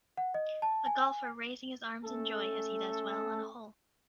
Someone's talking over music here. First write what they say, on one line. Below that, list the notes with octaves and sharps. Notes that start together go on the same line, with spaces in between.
A golfer raising his arms in joy as he does well on a hole.
F#5
D#5
A5
G#5
A3 C#4 A4